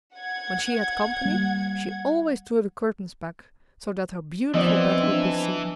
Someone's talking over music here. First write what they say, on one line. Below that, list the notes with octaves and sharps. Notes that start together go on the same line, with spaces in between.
When she had company, she always drew the curtains back so that her beautiful bed would be seen.
F#5 G#6
G3 A#3
E3 F3 B3 C4 D#4 D5
D4